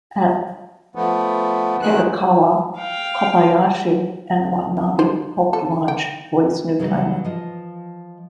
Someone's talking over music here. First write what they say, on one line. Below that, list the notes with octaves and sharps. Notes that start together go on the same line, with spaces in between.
At Kadokawa, Kobayashi and Watanabe helped launch "Voice Newtype".
F3 A3 B3
D#3 F#3 G#3 A3 F#6
F5 G5
C5
A4
G5
C#3 E3 F#3 G3 D#4
F3 D#5